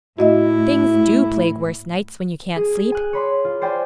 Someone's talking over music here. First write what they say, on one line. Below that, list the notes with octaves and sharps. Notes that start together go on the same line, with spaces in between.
Things DO plague worse nights, when you can't sleep.
A2 E4 F#4 D#5 E5
G#4
G#5 F#6
C#5 B5 C6 D6
F4
C5 D5 G5 G#5 B5 C6